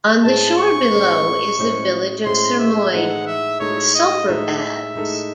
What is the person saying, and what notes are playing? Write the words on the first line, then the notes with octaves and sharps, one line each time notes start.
On the shore below is the village of Sirmione, with sulfur baths.
A2 G#3 C#4 G#4 C5 A5
C#6
A2 G#3 C#4 G#4 C5
A2 G#3 C#4 G#4 C5
A2 G#3 C#4 G#4 C5 C6
E5
A2 G#3 D#4 A4 F#5
E5
A2 G#3 D#4 A4 C#5
D#5
A2 G#3 D#4 A4 E5
A2 G#3 D#4 A4